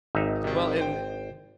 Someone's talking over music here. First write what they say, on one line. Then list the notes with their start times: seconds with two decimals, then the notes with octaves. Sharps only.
Well, and
0.15 G#1 D#4 E5
0.44 C3 D#3
0.78 C5 G5